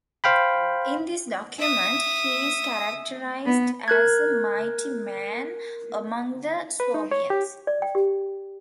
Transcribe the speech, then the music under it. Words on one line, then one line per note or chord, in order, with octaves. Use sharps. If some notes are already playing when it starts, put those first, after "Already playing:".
In this document he is characterized as a "mighty man among the Swabians".
C5 F5 G5 B5
E5 D#6
B3
A#4 F#6 G#6
B4
D#4
C#5
G4
D5
G5
G4